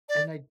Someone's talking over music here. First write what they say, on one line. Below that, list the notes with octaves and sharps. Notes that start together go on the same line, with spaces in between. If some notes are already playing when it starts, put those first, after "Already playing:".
And I
D5